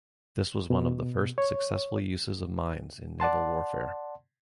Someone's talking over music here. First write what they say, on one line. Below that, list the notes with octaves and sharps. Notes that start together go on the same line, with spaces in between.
This was one of the first successful uses of mines in naval warfare.
B2
C#5
D5 F#5 A5 C6